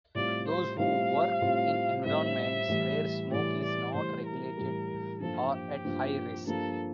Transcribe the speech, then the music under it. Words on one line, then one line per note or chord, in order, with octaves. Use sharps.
Those who work in environments where smoke is not regulated are at higher risk.
A2 G3 C4 F4 D5
C5
A2 G3 C4 F4 F5
A2 G3 C4 F4
A2 G3 C4 F4 E5
A2 E3 G3
A2 E3 G3 D5
D5
A2 E3 G3 C5
A#4
A2 E3 G3
G2 F3 A#3 F4 A4
G4
G2 F3 A#3 F4
G2 F3 A#3 F4 A4